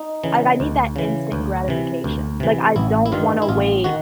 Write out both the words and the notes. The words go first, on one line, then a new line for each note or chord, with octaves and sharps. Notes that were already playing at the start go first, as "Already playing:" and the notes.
like, I need that instant gratification, like, I don't wanna wait
Already playing: D#4
C#3 E3
D2
C#3 E3
D2
C3 E3
D2
C3 E3
A1 E4
E4
G2 D#3 F4
E4
A1 F4
D#3 F#4